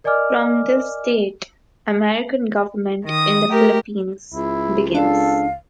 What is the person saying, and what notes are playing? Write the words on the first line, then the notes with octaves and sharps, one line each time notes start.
From this date, American government in the Philippines begins.
A#4 D5 D#5 G#5 D6 F6
D#3 D#6
A3 G4 A#4
C#2 E4
D4 A4 F5